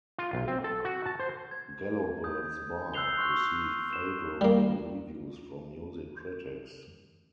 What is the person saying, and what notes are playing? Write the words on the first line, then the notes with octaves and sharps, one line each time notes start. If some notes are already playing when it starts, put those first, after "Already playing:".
"Gallowsbird's Bark" received favorable reviews from music critics.
F4
B1
C4
A4
F#4
A5
C5
G#6
D#6 G6
E6 F#6 G6 C7 F7 G7
C6 C#6 D#6 F6 F#6
E7
G3 A#3